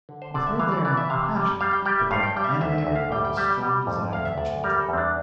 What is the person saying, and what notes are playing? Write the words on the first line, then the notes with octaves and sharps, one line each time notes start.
With her they are not passionate, but they are animated by the strong desire for children.
D3
C5
D3 D5
E5
E3 F5
D5
E3 D5
E5
C3 F5
G3
G3 F5
G5
G3 G5
E5
G2 F5
G5
G3 G5
E5
F5
D2 E5
E5
D2
F5
G3 G5
G5
G3 E5
G5
G3
F2
D2 F5
E5
D2 D5
G3 A#4
A4
E2 C4
D4